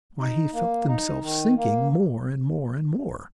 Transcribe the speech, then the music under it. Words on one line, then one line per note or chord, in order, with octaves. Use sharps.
Why, he felt himself sinking more and more and more.
D#4
A#3
D#4
D#3
A#3